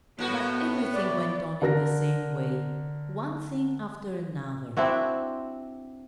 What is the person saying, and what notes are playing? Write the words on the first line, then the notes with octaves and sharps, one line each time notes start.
But everything went on in the same way, one thing after another.
A2 B3 F#4
D5
D3 A#4 A#6
C4 D4 E4 F#4